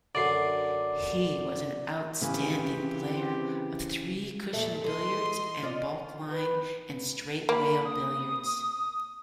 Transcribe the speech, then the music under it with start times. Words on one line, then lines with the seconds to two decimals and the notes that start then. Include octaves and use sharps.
He was an outstanding player of three-cushion billiards and balkline and straight rail billiards.
0.15 F#2 D3 D5 C7
2.21 C#3 E3 C4 G4 B4
4.53 E2 A#2 A3 A4 E5
4.84 E3 A4 D#5 C6
5.63 F4 D5 D#5
6.31 B4
7.49 A#3 B5
7.85 D#6